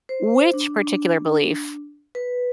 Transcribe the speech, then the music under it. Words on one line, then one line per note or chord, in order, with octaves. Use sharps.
which particular belief,
C5
D4
B4